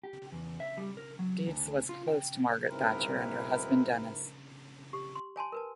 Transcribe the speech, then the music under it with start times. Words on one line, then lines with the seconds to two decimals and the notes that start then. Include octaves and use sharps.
Deedes was close to Margaret Thatcher and her husband Denis.
0.03 G4
0.32 E2
0.60 E5
0.78 G3
0.97 A#4
1.19 F#3
1.47 D2
1.89 F4
2.08 G5
2.69 B1 G#2 C4 E4 A#4 B4
4.93 G4
5.15 C6
5.36 C#5 G#5 A5 C6
5.52 A#4 B4 A5